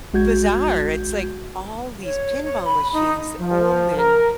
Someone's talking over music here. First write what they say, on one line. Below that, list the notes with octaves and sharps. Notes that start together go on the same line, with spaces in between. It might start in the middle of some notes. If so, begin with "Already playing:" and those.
bizarre, it's like, all these pinball machines, old and
A#1 G#3 F#4 G6 G#6
C#5
C#5
B5
D#4
F3
A#4